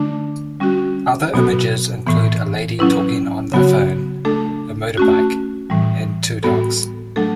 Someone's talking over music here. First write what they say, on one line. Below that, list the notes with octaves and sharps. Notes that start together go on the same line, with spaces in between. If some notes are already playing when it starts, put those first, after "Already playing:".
Other images include a lady talking on the phone, a motorbike, and two dogs.
Already playing: D3 A3 D4
G3 C#4 F#4
B2 F#3 B3 F#4 A4
A2 E3 B3
F#3 C#4 E4 B4
C#3 F#3 B3 F#4
A3 D4 A4
A3 C#4 F#4
A2 E3 G3
A2 G3 B3 F#4 A4
F#3 A3 D4 A4